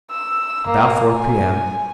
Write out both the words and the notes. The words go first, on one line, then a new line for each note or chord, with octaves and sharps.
About four p.m.
E6
A#3
G#5